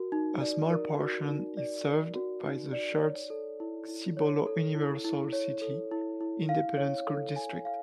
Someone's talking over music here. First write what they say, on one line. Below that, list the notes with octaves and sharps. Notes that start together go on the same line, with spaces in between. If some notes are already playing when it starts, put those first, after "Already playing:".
A small portion is served by the Schertz-Cibolo-Universal City Independent School District.
Already playing: F#4 A#4
D#4
D5
A#4
F#4
D#4
D5
A#4
F#4
D#4
D5
C#5
A4
E4
E4
C#5
A4
E4
E4
C#5
A4
E4
E4
F5
C#5
A4
G#5
F5